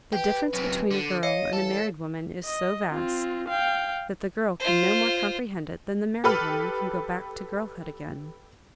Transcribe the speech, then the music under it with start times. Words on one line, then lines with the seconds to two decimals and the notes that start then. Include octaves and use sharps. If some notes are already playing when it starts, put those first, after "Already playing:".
The difference between a girl and a married woman is so vast, that the girl can no more comprehend it than the married woman can go back to girlhood again.
0.13 G4 B4
0.53 F#2 C3
0.91 D3
1.23 C#5 D#5 F5 C#7
1.53 E3 A4
2.45 D#5
2.92 C4 F4
3.48 F5 G5
4.60 F4 C5
6.24 G4 A4 B4 B5 F6